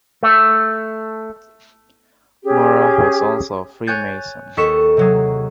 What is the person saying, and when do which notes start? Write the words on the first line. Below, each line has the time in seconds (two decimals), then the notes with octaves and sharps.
Murrah was also a Freemason.
0.23 A3
2.43 C#4 G4 G#4
3.87 C#5 G#5 F#6 G6 A6
4.57 D#2 A4 C#6 B6 E7
4.97 C3 F#3 G#4